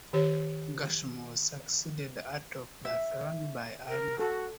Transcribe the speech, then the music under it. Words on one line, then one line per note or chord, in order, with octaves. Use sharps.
Gersem was succeeded atop the throne by Armah.
D#3 G4 C#5
E5
A#4
F#4 A4